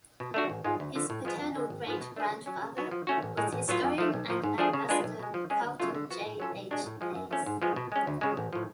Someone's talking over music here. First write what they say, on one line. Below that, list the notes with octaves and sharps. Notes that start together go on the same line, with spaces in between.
His paternal great-grandfather was historian and ambassador Carlton J. H. Hayes.
B2
A3 D4 F#4
A1
G#2 G#3 B3 F4
D2
D3 F3
A2
F3 G#3 B3
F2
D3 G#3
G#1
G#2 F3 B3
B2
A3 D4 G#4 B4
C#3
F#3 C#4
C#3
F#3 B3 F#4
F3
A3 C#4 F#4
A1
A2 G#3
A1
A2 F#3 B3 F4
F2
F3 A3
B1
A2 F3
G#2
F3 A3 D4 G#4
C#3
G#3 D4 F4 B4
B1
B2 G#3
F3
G#3 C#4 G#4
D2
C#3 F#3 A3 F4
D3
F3 B3 F#4
A2
F#3 C#4 F4 A4
B1
B2 G#3 D4 F#4
A2
F3 G#3
F#2
F3 A3 C#4
G#2
F3 G#3 B3
B2
G#3 C#4
D2
C#3 G#3
A1
A2 F3